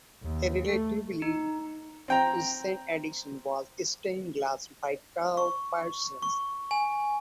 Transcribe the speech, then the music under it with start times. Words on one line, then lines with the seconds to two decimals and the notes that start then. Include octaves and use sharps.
A relatively recent addition was stained glass by Karl Parsons.
0.23 D#2
0.66 A3
1.22 D#4
2.08 C4 G5 A#5
5.37 C#6
6.22 C#6
6.71 G#5